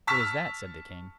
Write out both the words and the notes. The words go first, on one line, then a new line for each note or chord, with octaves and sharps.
"What is that?" said the king.
A5 C#6 E6 F6 B6